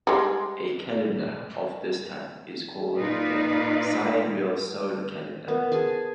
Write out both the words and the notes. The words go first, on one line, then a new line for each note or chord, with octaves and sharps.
A calendar of this type is called a sidereal solar calendar.
G3 G#3
A#2 D#4 F4 B4 D5
B3 A#4
G#4 G#5 A5